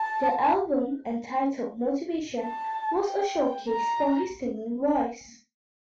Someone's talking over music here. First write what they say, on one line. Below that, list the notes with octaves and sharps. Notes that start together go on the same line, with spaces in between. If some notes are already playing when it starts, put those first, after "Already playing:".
The album, entitled "Motivation", was a showcase for his singing voice.
Already playing: A5
A5
G5
A#5